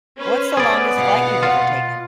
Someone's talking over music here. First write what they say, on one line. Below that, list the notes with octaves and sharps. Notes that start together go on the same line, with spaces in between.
What's the longest flight you've ever taken?
C#4 B4 C5
B3 G#4 D5
B2 F5 F#5
F4